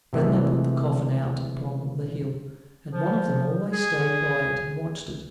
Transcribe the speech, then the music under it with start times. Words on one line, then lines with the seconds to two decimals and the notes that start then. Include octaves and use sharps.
Then they put the coffin out upon the hill, and one of them always stayed by it and watched it.
0.13 C3 E3 G#3 A3
2.92 F3
3.73 G#4